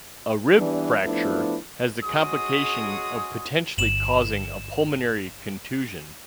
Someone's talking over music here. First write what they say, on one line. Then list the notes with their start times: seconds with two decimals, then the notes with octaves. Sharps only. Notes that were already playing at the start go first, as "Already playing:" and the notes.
A rib fracture has the complication of potentially causing a pulmonary contusion.
0.57 E3 G3 B3 D4
1.03 F3 A3 B3 D4 E4
2.04 G#3 C#4 F#4 G#4 D#6
3.78 G1 E7 F#7